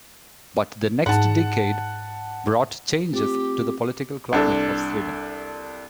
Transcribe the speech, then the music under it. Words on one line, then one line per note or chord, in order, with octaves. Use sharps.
But the next decade brought changes to the political climate of Sweden.
G#2 D#4 F#5 A5
A3 C4 F4 G4
C2 D4 A4